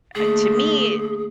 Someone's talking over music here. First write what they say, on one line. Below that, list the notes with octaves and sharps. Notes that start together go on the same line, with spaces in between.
uh, to me,
D3 A3 A#3 G#4